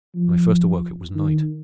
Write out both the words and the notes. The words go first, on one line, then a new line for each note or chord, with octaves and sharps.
When I first awoke, it was night.
F3
D#3